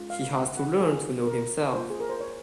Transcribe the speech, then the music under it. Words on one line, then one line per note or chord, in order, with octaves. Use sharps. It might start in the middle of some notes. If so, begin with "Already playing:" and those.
He has to learn to know himself.
Already playing: G#3 C#4 F4
F5
F#5
F#5
A#3 F4 G#4
A#4
A#3 F4 C5
G#4
A#4
C5
C#5